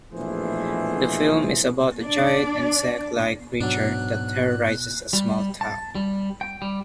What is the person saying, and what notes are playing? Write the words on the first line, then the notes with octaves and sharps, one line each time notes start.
The film is about a giant insect-like creature that terrorizes a small town.
A#1 B2 E3 A3 G#4 C5
D4 D5
G#2 B2 F#3 D4 F#6
G3
A5
G3
G5
G3